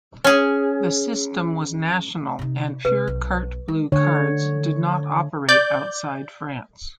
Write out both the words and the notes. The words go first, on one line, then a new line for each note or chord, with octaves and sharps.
The system was national, and pure Carte Bleue cards did not operate outside France.
C#4 G#4
C3 D#4
C3 B4
B1
G#3
D3 C#5
D5 D6 G6